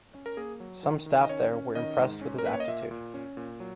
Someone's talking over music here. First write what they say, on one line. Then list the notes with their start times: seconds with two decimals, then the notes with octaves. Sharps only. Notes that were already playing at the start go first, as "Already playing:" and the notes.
Some staff there were impressed with his aptitude.
0.15 C#4
0.26 A#4
0.37 A#3 G#4
0.60 F#3
0.83 D#3
1.06 D#3
1.24 D#5
1.29 C#4 C#5
1.53 C#4
1.75 D#3 D#5
1.98 G#2
2.21 C#4
2.38 A#4
2.45 A#3 B4
2.53 C#5
2.60 D#5
2.68 A#2 E5
2.91 A#2
3.14 C#4
3.37 A#2
3.60 F#3